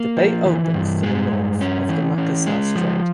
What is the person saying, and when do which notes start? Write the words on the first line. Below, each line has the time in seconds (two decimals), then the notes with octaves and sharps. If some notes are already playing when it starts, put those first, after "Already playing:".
The bay opens to the north of the Makassar Strait.
Already playing: A#3
0.17 F3
0.46 E3
0.74 G2
1.03 G#3
1.32 G2
1.61 C#4
1.89 E3
2.18 C#4
2.47 G#3
2.75 F3